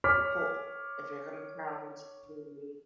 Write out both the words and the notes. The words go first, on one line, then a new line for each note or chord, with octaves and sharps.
cool. If you're gonna challenge me,
C#5 D6 F6 B6